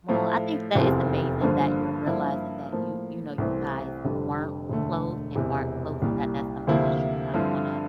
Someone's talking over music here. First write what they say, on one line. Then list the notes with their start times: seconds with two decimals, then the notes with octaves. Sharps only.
Well, I think that it's amazing that you're realizing that you you know, you guys weren't close and aren't close, and that that's something that you kinda wanna
0.09 A2 F3 A3 E4
0.76 F1 E2 C3 F3 C4
1.41 G1 G2 D3 F3 A#3
2.06 G2 F3 A#3 E4
2.73 A2 F3 A#3
3.38 C2 C3 E3 A3 C4
4.04 F1 F2 D3 G3
4.70 E1 D2 D3 A3
5.36 E1 E2 C3
6.02 C2 A#2 G3
6.67 D2 C3 F3 A#3 E4
7.34 G2 D3 F3 C4 E4